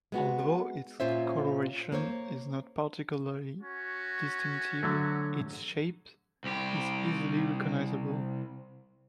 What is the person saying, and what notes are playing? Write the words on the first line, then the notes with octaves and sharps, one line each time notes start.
Although its coloration is not particularly distinctive, its shape is easily recognizable.
G#3 B3 F#4
A#2 C#4 F4 C5 C#5 E5
A#3 C5 C#5
C#4 F#4
D3 F#3 A3
C2 G4